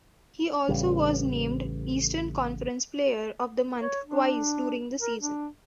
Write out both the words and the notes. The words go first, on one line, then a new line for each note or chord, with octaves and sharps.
He also was named Eastern Conference Player of the Month twice during the season.
A1 C#3 G3
C#5
D4
A#4
D4